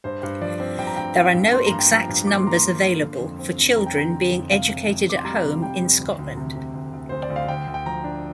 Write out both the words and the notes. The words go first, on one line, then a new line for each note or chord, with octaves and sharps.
There are no exact numbers available for children being educated at home in Scotland.
G2 C5
G2
F3 D5
C4
G2 G5
A#5
G2 G5
C4 F5
G2
A#3 C6
G2 A#5
G5
F3 A#5
G2
A#3 D6
C6
A#3 A#5
C6
F3
A#3
D3
F2
C4
F2
F2 A#5
G5
D3 A#5
D3
F2
C3 F5
C3
F2
F2 D6
C6
G3 A#5
C3
G3 G5
F2
D2
D2
C3
C3
D2
D2
D2 C5
D5
D2
F5
D2 G5
D2
G5
F3 A#5
D4